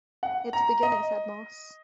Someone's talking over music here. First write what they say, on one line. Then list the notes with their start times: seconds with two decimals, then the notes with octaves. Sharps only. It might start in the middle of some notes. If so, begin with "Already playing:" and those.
"It's a beginning," said Moss.
0.23 F#5
0.53 A#5
0.83 D#5